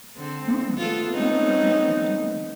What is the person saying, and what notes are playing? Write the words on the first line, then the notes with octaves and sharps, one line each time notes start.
No, that would never do.
D3 C4
A3 B3 F4 A4
C4 C#4 D#4